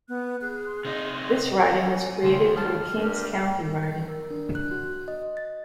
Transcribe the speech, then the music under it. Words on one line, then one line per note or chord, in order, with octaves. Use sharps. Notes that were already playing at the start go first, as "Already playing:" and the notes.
This riding was created from King's County riding.
B3 F#6
G#4
C6
C3 D#4
G#5
D#2 C#3 G#3 C6
G#4 A5 F6
G2 A#4
A#4
D4
F#6
F#4
D#5
A6